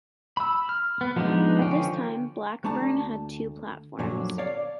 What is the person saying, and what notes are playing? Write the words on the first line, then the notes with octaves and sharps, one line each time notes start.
At this time, Blackburn had two platforms.
B5 E6
F6
B3
F3 G#3 B3 D4 D#4
D3 F3 C#4 F4 G5
D2 A3 D4 A5 A#5
F#2 A#2 D3 F3 F#3
C#5 D5 F5